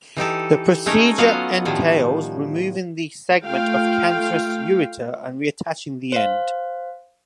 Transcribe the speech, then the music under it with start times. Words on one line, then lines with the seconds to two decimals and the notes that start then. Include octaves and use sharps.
The procedure entails removing the segment of cancerous ureter and reattaching the end.
0.17 E3 D#4 G4 A4
0.86 A3 C#4 D#4 A#4
1.18 F#3 B3 F4 D#5 F5 F#5
1.65 A2 D#3 F3 G3
3.44 A3 F4 F5 G5
6.12 C5 F5